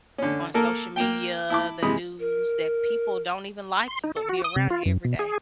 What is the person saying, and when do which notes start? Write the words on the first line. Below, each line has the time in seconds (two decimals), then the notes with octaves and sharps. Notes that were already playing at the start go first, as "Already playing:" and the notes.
on social media, the news, that people don't even like you but be around you every day,
0.18 D3 C#4
0.54 A#3 A4 A#4
0.96 A#3 G5
1.50 E4 A5 D6
1.82 C3 E3 G#3 B5 D#6
2.20 A#4
3.88 C6
4.04 D#4
4.17 A4
4.29 F#4
4.44 D#6
4.56 C3
4.70 F4
4.86 F#2
5.05 B2
5.19 G#4